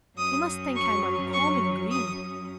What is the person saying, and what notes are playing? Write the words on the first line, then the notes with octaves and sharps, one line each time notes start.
"They must think I'm uncommon green."
F#2 F#3 C#4 D#6
C#6
C#6
D#6